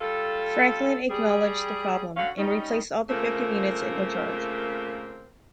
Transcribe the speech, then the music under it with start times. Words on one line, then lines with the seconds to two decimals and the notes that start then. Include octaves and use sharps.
Franklin acknowledged the problem, and replaced all defective units at no charge.
0.01 G3 F4 A4
1.10 G3 G#4
2.17 D3 C#4 F#4 F5
2.38 G3 C#4 D#4
3.10 C#3 A3 A#3 C4 F4 A#4